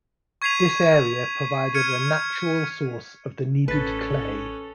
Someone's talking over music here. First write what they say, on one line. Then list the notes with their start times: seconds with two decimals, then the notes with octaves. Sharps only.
This area provided a natural source of the needed clay.
0.42 C#6 G#6 B6 C7 D#7 F7
1.74 F6 G#6 C#7 D#7
3.68 A1 C#4 A4 B4 F#6 A6